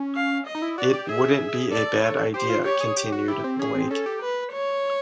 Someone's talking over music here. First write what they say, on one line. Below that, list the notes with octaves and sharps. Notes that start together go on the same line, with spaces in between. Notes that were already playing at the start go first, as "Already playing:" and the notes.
"It wouldn't be a bad idea," continued Blake.
Already playing: C#4
F5
D#5
D#4
E4
F#4 D5
G4
G#4 E5
A4 D5
C#5
G4 C5
F4
G4 C#5
G#4
G4
F#4
E4 G4
C4
C#4 G#4
C4
C#4 A4
G4
B4
C#5